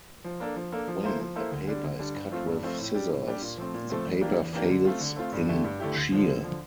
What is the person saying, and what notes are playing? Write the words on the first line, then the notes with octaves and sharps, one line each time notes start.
When a paper is cut with scissors, the paper fails in shear.
F3
A#3 D4 A4
F3
A#3 D4 A4
F3
A#3 E4 A4 C5
F3
A#3 E4 A4 C5
D2
D3 G3 D4
D2
D3 G3 D4
G2
F3 A3 C4 F4
G2
F3 A3 C4 F4
A2
G3 D4 G4 D5
A2
G3 D4 G4 D5
A#2
F3 A3 C4
A#2
F3 A3 C4
E2
E3 A#3 D4 G4
E2
E3 A#3 D4 G4
D3
A3 C4 F4
D3
A3 C4 F4
G2
D3 A3 E4 G4
G2
D3 A3 E4 G4
D2
D3 F3
D2
D3 F3